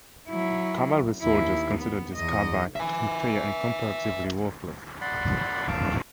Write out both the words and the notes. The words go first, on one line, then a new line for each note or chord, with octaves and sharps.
Cavalry soldiers considered this carbine inferior and "comparatively worthless".
F#3 E4
D#2 E4
B3
E2 D#5
E5 G#5
D5 F#5 B5 C6
F5 A5 D6 E6